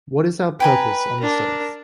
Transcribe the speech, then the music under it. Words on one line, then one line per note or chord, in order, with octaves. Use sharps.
What is our purpose on this earth?
B4 G5 G#5 A#5
D4 A#4